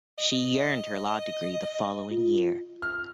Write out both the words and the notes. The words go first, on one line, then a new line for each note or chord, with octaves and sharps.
She earned her law degree the following year.
D#5
F4
F6